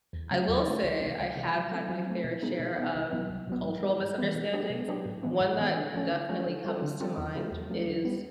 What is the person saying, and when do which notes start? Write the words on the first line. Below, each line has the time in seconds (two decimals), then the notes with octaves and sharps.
I will say, I have had my fair share of cultural misunderstandings. One that definitely comes to mind is
0.13 E2
0.31 C#3 F#3 A3
0.48 E2
0.66 C#3 F#3 A3
0.83 C#2
1.01 C3 E3 G#3
1.19 C#2
1.36 C3 E3 G#3
1.54 F#3
1.71 A3 C4
1.89 F#3
2.07 A3 C4
2.24 B2
2.42 G#3 B3 D#4 G#4
2.59 B2
2.76 G#3 B3 D#4 G#4
2.95 C2
3.12 A#2 F#3 B3
3.30 C2
3.47 A#2 F#3 B3
3.65 G#2
3.83 E3 G3 B3
4.01 G#2
4.18 E3 G3 B3
4.35 B2
4.53 F#3 B3 D4 G4
4.70 B2
4.88 F#3 B3 D4 G4
5.06 A2
5.23 E3 G#3 B3
5.41 A2
5.59 E3 G#3 B3
5.76 D3
5.94 F3 A3 C#4
6.12 D3
6.29 F3 A3 C#4
6.46 D3
6.65 G3 C4 F4 A4
6.82 D3
7.00 G3 C4 F4 A4
7.17 E2
7.35 C#3 F#3 A3
7.52 E2
7.70 C#3 F#3 A3
7.87 D3
8.05 G3 B3